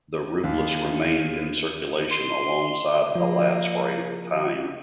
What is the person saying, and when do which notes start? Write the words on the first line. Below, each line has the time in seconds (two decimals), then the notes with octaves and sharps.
The rublis remained in circulation alongside the lats for a time.
0.44 D#2
2.11 C6
3.15 F3 A#3